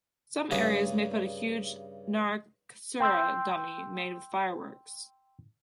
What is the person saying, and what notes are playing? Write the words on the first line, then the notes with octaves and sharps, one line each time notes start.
Some areas may put a huge Narakasura dummy made with fireworks.
G2 C#3 D4 G#4
G5 C6 E6 G6